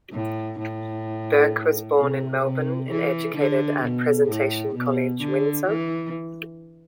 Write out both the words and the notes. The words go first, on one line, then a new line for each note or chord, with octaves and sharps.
Burke was born in Melbourne and educated at Presentation College, Windsor.
A2
A2
C3
C3
E3
D3
B2
A2
B2
D3
E3